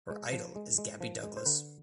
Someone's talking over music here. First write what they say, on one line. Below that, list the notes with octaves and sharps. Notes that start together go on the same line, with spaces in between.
Her idol is Gabby Douglas.
G#3
F3
G#3
G#3
F3
G#3
C5
D3 B4